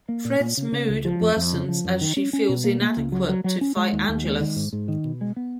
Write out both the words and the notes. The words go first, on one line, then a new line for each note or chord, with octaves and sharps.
Fred's mood worsens as she feels inadequate to fight Angelus.
A#3
A#2
A#2
C#3
C#3
C#2
F3
F2
F2
C#3
F3
F#2
D#3
C#4
C#4
B2
A#3
A#3
C#2
F#3
F#3
F#3
C#4
G#3
D#2
D#2
G#3
D#3
G#2
G#2
D#3
B2
G#3
B3